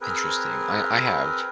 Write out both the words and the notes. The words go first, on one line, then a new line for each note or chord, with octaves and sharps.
Interesting, I I have
C4 G#4 A#4 B4